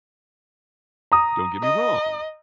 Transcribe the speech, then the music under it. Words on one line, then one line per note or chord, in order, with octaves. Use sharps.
don't get me wrong,
A#5 D#6
D#5